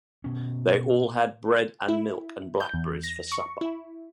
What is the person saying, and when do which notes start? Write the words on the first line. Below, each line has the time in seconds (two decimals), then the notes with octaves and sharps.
They all had bread and milk and blackberries for supper.
0.24 B2 C#4
1.88 E4
2.60 G6
2.74 E2
3.03 A#6
3.32 C#6
3.61 E4